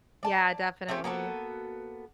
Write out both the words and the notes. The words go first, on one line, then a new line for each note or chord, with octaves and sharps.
Yeah, definitely.
D5 A5
A3 C4 C#4 G4
A#3 B3 F#4 A4